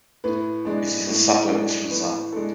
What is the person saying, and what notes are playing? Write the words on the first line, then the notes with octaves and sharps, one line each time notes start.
It is a suburb of Lausanne.
A2 B4
G#3 D4
A2
G#3 D4
A2 B4
G#3 D4 A4